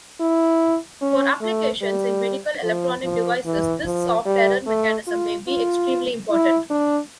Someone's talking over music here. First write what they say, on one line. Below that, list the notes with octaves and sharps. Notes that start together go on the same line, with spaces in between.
For applications in medical electronic devices this soft error mechanism may be extremely important.
E4
C#4
A3
G3
F3
F3
E3
F3
G3
A3
F4
F4
E4
D4